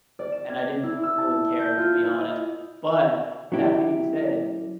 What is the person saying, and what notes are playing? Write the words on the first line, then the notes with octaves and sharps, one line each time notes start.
And I didn't really care, to be honest. But, that being said,
D5
E7
G#6
E4
E6
A5
G6
F4
E4
D#5
F#3 C#4 E4 G4